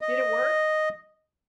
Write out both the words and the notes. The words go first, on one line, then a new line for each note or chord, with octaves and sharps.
Did it work?
D#5